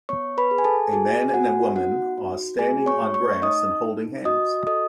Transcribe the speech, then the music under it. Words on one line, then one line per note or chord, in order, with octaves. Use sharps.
A man and a woman are standing on grass and holding hands.
B3 C#5 C#6
B4 B5
G#4
G#5
A4 A5
F#4 G#4 G#5
G#5
B3 F#4 F#5
D#4 F#4 F#5
F#4
A3 G#4 G#5
C#5 C#6
A3
C#5 C#6
D#4 D#5 D#6
D#4
F#4 D#5 D#6
A4 D#5 D#6